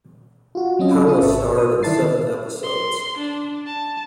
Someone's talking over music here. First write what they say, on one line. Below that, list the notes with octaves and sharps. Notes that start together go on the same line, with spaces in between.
Powell starred in seven episodes.
F4 F#4
F#3 C4 C#4 F4 D#5
C#4 F4 D#6
G#1 E5 A5 C#6
C5 D#6
D#3 E4 D5 A5 A6 C7
C6
D4
A5